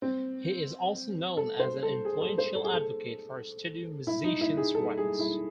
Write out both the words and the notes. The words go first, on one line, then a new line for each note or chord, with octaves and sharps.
He is also known as an influential advocate for studio musician's rights.
C4
A4
C5
A4
G#4
A4
C5
A4
G#4
A4
E4
D#4
E4
G#4
A4
G#4
E4